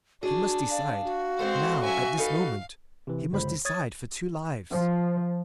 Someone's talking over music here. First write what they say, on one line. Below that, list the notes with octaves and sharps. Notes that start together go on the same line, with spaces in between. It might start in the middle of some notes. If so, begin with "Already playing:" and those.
He must decide--now, at this moment--he must decide for two lives.
D4 F#4 G#4
D5 F5
F#4
G#3 B3 C4 A4 C5
F#3 C#4 E5 G#5
D#4 A4 B4 F5
C3 E3
G1 C#2 C5 B5
C#5 D#6 G#6 A6
F3